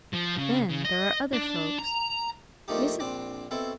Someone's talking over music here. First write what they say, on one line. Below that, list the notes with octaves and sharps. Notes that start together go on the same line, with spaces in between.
Then there are other folks--Mrs.
F3
C#3
C#3
D#5
D4
A#5
F3 A3 A#3 D4 D#4 G4
A#1 C4 D4 D6
B2 C4 E4 A4